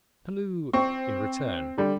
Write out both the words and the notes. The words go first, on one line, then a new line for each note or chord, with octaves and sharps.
Halloo!' in return.
C4 C#6
D3 G3